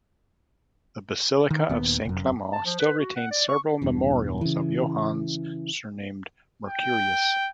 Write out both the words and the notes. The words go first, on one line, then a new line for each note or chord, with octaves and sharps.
The basilica of Saint Clement still retains several memorials of "Johannes surnamed Mercurius".
D#3
D#1 D#2 B3
F1 F#2
A5
F3
B4
F#4
F#5
D5
C#6
E1 E2 G2
C#3 E3
G5